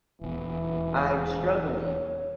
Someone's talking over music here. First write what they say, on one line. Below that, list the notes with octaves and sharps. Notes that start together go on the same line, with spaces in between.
I'm struggling."
D#1 E2 E3
G#2
C#5